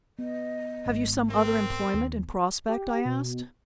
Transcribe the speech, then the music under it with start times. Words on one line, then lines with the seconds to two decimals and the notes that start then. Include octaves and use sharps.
"Have you some other employment in prospect?" I asked.
0.19 B3 D#5
0.86 G#1 G#2
1.30 C4 A#4
1.94 D#2 D#3
2.69 G4
3.05 B2